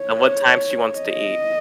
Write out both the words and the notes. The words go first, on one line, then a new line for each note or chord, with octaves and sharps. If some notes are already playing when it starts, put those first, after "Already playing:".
At what time she wants to eat.
Already playing: C#5
D#5